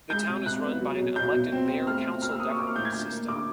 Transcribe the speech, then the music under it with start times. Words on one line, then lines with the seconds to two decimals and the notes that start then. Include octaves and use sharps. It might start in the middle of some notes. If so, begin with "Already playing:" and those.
The town is run by an elected Mayor-council government system.
0.10 G#3 G6
0.29 C3
0.46 C3 F#6
0.63 B3
0.81 F#3
0.98 B2
1.16 B2 G6
1.34 B2
1.52 C4
1.69 C4
1.87 A3 F6
2.06 C4
2.22 A#3 F6
2.31 E6
2.40 A#3 D#6
2.50 C#6
2.58 A#3 D6
2.67 F6
2.76 A2 G6
2.85 G#6
2.93 D3 G6
3.11 A#3
3.28 D3 D6